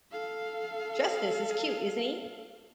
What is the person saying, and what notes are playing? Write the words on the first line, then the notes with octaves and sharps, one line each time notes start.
Justus is cute, isn't he?
A4 F5